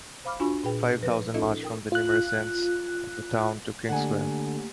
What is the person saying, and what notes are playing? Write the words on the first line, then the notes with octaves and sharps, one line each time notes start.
Five thousand marched from numerous ends of the town to King Square.
C5 F5 B5 D6 F6
D4 F4 F#4 G#5 B5 C#6
A#2 G#4 B4 G5
F3 B4 A#6
C#4 D#4 F4 A4 D#5 E5
A#4 G5 D#6
F4 F#6
D3 A3 A#3 G4 F#5 G#5